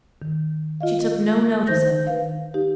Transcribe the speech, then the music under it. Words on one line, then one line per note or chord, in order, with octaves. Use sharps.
She took no notice of him.
D#3
F4 D#5 F5
D#3 D#4 C5 G6 A#6
B4 F5
D#4 G4